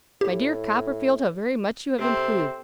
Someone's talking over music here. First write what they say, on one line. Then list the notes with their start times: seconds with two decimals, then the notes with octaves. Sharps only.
My dear Copperfield, how very much you have improved!
0.21 A2 G4
1.99 C3 C4 A4